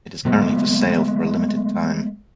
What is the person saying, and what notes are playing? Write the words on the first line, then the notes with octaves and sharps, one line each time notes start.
It is currently for sale for a limited time.
F#3 G#3 A3 B3